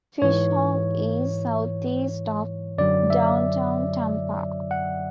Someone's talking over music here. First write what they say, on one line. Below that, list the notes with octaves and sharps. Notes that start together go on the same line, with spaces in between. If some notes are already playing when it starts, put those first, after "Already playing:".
FishHawk is southeast of downtown Tampa.
G#2 E3 C#5
F#2 D3 F#3 D5
E5
F#5